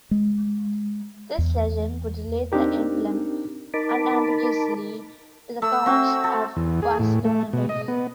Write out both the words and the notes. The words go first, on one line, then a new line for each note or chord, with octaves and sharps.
This legend would relate the emblem unambiguosly to the Counts of Barcelona title.
G#3
E2
C4 D4 D#4 G4 A#4
D#4 A#4 A5 B5 D6
A3 E6
C4 F#4
A4
E2
G#4
A2
A3
B2
D#5
B3